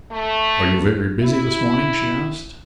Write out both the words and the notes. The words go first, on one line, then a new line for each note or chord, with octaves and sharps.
"Are you very busy this morning?" she asked.
A3
E4